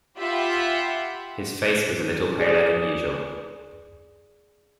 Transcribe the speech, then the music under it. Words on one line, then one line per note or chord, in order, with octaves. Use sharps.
His face was a little paler than usual.
F4 G4 E5 F#5 B5
G#4 D5